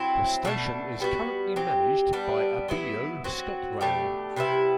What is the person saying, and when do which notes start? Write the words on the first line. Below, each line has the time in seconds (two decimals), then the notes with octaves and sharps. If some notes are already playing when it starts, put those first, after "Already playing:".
The station is currently managed by Abellio ScotRail.
Already playing: F#3 C4 E4
0.45 B2 A3 D4 A4
1.00 G3 B3 F#4
1.56 F#3 C4 G4
2.13 G3 B3 D4
2.68 F#3 B3 E4
3.24 F#3 C4 F#4
3.81 B2 A3 D4 G4
4.36 C3 G3 B3 E4